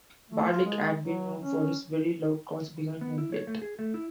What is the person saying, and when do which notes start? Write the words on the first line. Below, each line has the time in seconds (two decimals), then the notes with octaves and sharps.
Barlick had been known for his very loud calls behind home plate.
0.30 A3
0.49 F4
0.65 G#3
1.03 F#3
1.40 C#4
3.01 B3
3.18 E4
3.32 C#5
3.47 A3
3.62 G#4
3.79 A3
3.94 E4